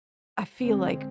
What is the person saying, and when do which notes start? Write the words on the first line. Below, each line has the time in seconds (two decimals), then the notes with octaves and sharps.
I feel like
0.61 D3 G#3 C4